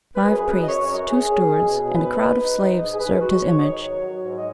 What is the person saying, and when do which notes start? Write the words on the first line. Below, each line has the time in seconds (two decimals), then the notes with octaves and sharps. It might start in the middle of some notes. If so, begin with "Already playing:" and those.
Five priests, two stewards, and a crowd of slaves served his image.
0.16 B4
0.26 F#2 G#4
0.47 F#2 B4
0.62 D#5
0.68 F#2 C#5
0.90 F#2
1.05 B4
1.10 C#4 G#4
1.31 C#4
1.53 B2
1.73 B2
1.94 G#2 B4
2.15 D#4
2.36 D#4
2.57 D#4
2.78 G#2 D#5
2.94 G#4
2.99 G#2 B4
3.19 G#3 F#4
3.41 G#2 C#5
3.58 D#5
3.62 D#3 C#5
3.83 F#3
4.04 F#3
4.24 G#2
4.38 D#5